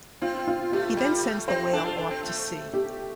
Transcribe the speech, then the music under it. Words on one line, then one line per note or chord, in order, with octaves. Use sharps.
He then sends the whale off to sea.
C4 F4
F4
A3 G4
G3
A3
C4 C5
D4 A4
F4
D4
C4
A3
G4